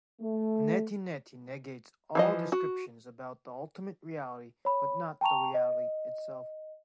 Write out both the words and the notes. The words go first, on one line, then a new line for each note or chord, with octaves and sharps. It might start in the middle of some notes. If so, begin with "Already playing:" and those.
Neti neti negates all descriptions about the Ultimate Reality but not the Reality itself.
A3
E3 F3 D#5
F#4
C#5 B5
G5 A5 A#5 C#6 F7
D#5